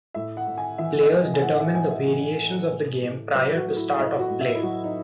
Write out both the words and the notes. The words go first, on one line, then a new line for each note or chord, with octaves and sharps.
Players determine the variations of the game prior to start of play.
A2 E5
F#5
A2
G#5
E3 E5
D#5
A3
D#5
G#5
A2 F#5
E5
A2 G#5
E5
E3
A3
A2
A2
F#3 B4
F#4
A3
E4
A2 D#5
F#4
A2
E5
E4
F#3 F#4
D#4